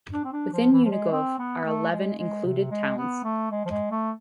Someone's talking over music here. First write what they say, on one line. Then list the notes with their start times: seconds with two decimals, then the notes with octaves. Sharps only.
Within Unigov are eleven "included towns".
0.12 D4
0.25 C4
0.32 D4
0.52 F3
0.72 E3
0.84 F3
0.91 G#3
1.12 C4
1.39 B3
1.65 A3
1.91 G#3
2.18 G#3
2.44 C3
2.71 G#3
2.98 B3
3.24 A3
3.51 G#3
3.65 F3
3.70 G#3
3.91 A3